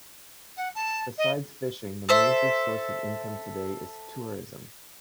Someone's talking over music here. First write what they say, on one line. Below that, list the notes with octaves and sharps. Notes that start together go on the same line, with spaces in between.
Besides fishing, the major source of income today is tourism.
F#5
A5
D#5
A4 C5 E5